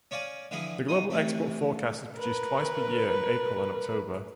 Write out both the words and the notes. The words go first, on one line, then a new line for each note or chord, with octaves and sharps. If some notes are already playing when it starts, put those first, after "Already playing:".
The Global Export Forecast is produced twice per year in April and October.
C#4 C#5 D5 F5 G#5
D3 E3 F3 E4 G#4
B1 D#4 D#6
C3 E3 A3 C4
A#4 B4